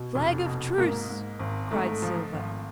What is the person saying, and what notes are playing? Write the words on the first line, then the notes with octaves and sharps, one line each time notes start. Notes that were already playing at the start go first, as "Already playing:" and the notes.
"Flag of truce," cried Silver.
Already playing: B2
F1
B2
G#2 A#3
G#2
G#1
G#2 A3
F3
G#1